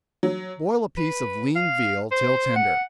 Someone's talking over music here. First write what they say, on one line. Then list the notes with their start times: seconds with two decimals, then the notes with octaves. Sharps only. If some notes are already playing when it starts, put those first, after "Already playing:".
Boil a piece of lean veal till tender.
0.23 F#3
0.97 B4
1.55 F5
2.11 C5
2.56 F#5